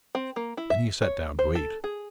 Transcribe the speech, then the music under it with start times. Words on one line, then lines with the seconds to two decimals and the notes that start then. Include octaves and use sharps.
Then he sat down to eat.
0.15 C4
0.36 A#3
0.57 E4
0.70 E5
1.02 C#5
1.39 C5
1.55 A4
1.84 G#4